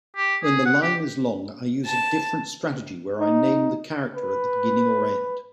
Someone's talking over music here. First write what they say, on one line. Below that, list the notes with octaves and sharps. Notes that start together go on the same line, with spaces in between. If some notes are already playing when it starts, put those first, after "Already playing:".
When the line is long, I use a different strategy where I name the character at the beginning or end.
G4
G#4
F#5
G4
A5
D#4
B4